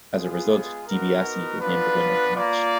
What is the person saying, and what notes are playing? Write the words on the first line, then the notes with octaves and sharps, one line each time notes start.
As a result, DiBiase was named the winner of the match.
G#3 B3 F4 G#4
B3 D#4 F#4 A#4
B3 D4 F4 B4
A#3 F4 D5